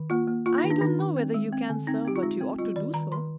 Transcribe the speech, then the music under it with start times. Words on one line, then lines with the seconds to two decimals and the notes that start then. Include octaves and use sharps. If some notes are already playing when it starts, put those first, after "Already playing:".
"I don't know whether you can, sir; but you ought to do so."
Already playing: D#3
0.10 A#3 F4
0.28 A#3
0.46 A#3 F4
0.58 D#4
0.64 D#3
0.70 D4
0.81 D#3 D#4
0.99 D#3
1.16 C4
1.34 G#3
1.52 C4
1.69 D3
1.87 C4 D#4
2.05 C4 G4
2.16 F4
2.23 G#3 D#4
2.41 C4
2.59 G3 F4
2.76 D#3 D5
2.94 D#3 A#5
3.12 D#3 C6